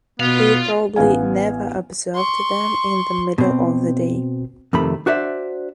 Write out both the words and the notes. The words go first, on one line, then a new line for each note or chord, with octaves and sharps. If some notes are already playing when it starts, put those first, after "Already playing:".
He Probably never observed them in the middle of the day.
B2 B3 F4 F5
A1 B3 F5 G#5
C6 C#6
B2 C4
F2 C3 D#3 A3 B5
D4 F#4 C5 D5 E5